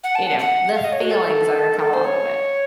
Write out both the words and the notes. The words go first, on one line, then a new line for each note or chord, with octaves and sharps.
you know, the feelings that are gonna come along with it.
F#5
A5
F#5
F#5
F5
D#5
C#5
F#4
A4
A#4
A4
C5
C#5